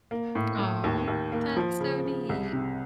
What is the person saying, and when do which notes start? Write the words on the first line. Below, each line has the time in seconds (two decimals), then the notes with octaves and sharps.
Aw. That's so neat.
0.11 A#3
0.35 A2
0.59 A2
0.84 D#2
1.08 D#2
1.32 A#3
1.56 F3
1.80 C#3
2.05 C#3
2.29 C2
2.53 C3